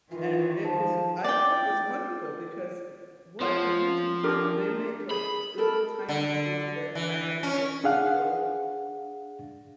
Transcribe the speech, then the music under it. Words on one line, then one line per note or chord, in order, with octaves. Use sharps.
And it was I thought it was wonderful because, w what amazing talent! They make like little tiny food that actually looks real.
D#3 E3 F4
F3 A5
D5 G5
F3 F4 C#5 F#5
D4 G4 A#4
G#4 B5
A4 A#4
D3
E3
C#4
D4 G#4 F5 F#5